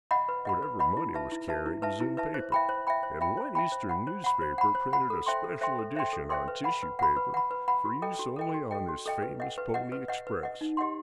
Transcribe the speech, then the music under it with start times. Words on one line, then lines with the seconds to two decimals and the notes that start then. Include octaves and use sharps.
Whatever money was carried was in paper, and one Eastern newspaper printed a special edition on tissue paper for use only on this famous Pony Express.
0.11 D#5 F#5 B5
0.29 B4
0.45 D#5 F#5 B5
0.63 B4
0.79 D#5 F#5 B5
0.97 E4
1.14 B4 E5 A5
1.32 E4
1.48 B4 E5 A5
1.66 E4
1.82 B4 E5 A5
2.00 E4
2.17 B4 E5 A5
2.34 C5
2.52 E5 G5 B5
2.69 C5
2.87 E5 G5 B5
3.03 C5
3.21 E5 G5 B5
3.37 C5
3.55 E5 G5 B5
3.72 C5
3.89 F#5 B5
4.07 C5
4.24 F#5 B5
4.42 C5
4.58 F#5 B5
4.75 C5
4.93 F#5 B5
5.10 A4
5.26 C5 E5 G5 C6
5.44 A4
5.61 C5 E5 G5 C6
5.79 A4
5.95 C5 E5 G5 C6
6.13 A4
6.30 C5 E5 G5 C6
6.48 B4
6.64 F#5 B5
6.83 B4
6.99 F#5 B5
7.17 B4
7.34 F#5 B5
7.51 B4
7.68 F#5 B5
7.85 F#4
8.02 A4 D#5 G5
8.19 F#4
8.36 A4 D#5 G5
8.54 F#4
8.71 A4 D#5 G5
8.89 F#4
9.06 A4 D#5 G5
9.23 B4
9.40 D#5 F#5
9.58 B4
9.74 D#5 F#5
9.92 B4
10.08 D#5 F#5
10.27 B4
10.43 D#5 F#5
10.61 D#4
10.77 G4 D#5 F#5 C6